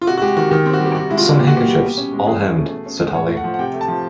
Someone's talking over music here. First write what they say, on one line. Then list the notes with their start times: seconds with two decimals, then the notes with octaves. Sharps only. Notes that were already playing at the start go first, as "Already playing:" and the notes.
"Some handkerchiefs, all hemmed," said Hollie.
0.01 F4
0.07 C3 F#4
0.17 F#4
0.21 G#3 G4
0.37 D#3 F#4
0.51 D#3 G4
0.66 C4
0.73 F#4
0.80 G3
0.86 G4
0.95 C3 F#4
1.10 G#3 E4
1.17 F4
1.24 E3
1.39 A#2 G4
1.47 F#4
1.54 A#3 G4
1.68 G3
1.83 B2
1.98 C#4
2.13 G#3
2.27 E3 G#4
2.42 C#4
2.57 A3
2.70 B2
2.86 C#4
3.00 G#3
3.15 A2 C#5
3.29 A3
3.37 F#5
3.44 F3
3.54 F#5
3.59 C3 G5
3.74 A3
3.81 A5
3.88 F3